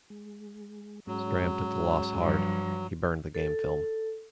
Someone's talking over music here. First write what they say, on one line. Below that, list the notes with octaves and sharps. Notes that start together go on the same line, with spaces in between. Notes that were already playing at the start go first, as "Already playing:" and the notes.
Stram took the loss hard; he burned the game film.
G#3
G#2 F#3 G#3 C#4
G2 F3
A4